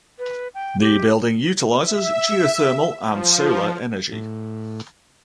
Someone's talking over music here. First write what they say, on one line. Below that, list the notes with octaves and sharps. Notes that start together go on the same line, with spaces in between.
The building utilizes geothermal and solar energy.
B4
G5
G4
E5
F3
A2